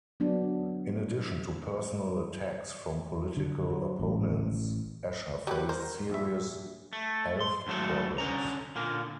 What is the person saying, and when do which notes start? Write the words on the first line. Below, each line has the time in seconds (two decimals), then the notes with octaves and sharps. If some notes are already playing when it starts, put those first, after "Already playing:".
In addition to personal attacks from political opponents, Escher faced serious health problems.
0.20 F#3 B3 D4
3.37 D3
3.71 F#3
3.99 A1
5.47 F#3 G4 G#4 B4
5.69 A#4 C5
6.10 A#1 E5
6.93 A3
7.41 C6
7.67 D#2 G#2 F#3 A3 A4
8.18 D3 C#4 A#5
8.76 A#2 D3 A#3